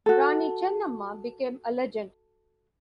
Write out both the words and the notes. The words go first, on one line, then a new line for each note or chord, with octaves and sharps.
Rani Chennamma became a legend.
F#4 A4